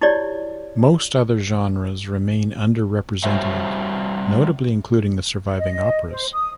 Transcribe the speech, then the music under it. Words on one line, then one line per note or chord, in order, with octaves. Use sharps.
Most other genres remain under-represented, notably including the surviving operas.
D#4 E4 F#4 G4 C#5 D5
G3 F#4 C5 C#5 E5
D#5
C5
D#6